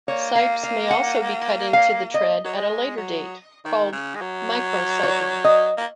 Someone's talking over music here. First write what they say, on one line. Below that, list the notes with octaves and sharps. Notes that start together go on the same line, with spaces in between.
Sipes may also be cut into the tread at a later date, called "microsiping".
A#3 C#5
F5
F5
F#5
F5
D#5
F#3
G#3
F#3
D#3
C#3
G#3
F#3
C#5
D#5
A#3